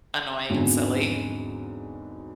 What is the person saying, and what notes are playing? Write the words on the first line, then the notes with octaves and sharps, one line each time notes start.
annoying and silly,
E2 G#2 D3 F#3 C4